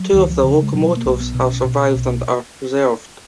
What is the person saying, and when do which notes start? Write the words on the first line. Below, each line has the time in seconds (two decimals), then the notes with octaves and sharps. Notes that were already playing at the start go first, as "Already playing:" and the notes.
Two of the locomotives have survived and are preserved.
Already playing: F#3
0.13 C#2 D#3
0.28 F3
0.44 C#3
0.62 G#3
0.74 B2 F#3
0.97 A#3
1.05 B1
1.20 B3
1.35 B2
1.42 C#4
1.65 B2
1.95 B1